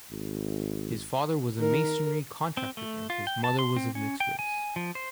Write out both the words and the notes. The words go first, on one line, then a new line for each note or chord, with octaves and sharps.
His father was a masonry contractor and his mother was of mixed race.
G#1
D#3 A#4
C4
A3
F4
G5
A5
C6
C4
C#4
G5
G#5
F3
C5